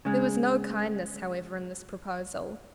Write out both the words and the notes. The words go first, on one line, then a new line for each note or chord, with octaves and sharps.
There was no kindness, however, in this proposal.
C#3 G#3